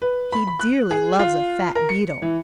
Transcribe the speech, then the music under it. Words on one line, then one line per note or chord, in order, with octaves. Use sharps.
He dearly loves a fat beetle.
B4
B5
B5
F#6
G#4
F4
A#4
C#7
E3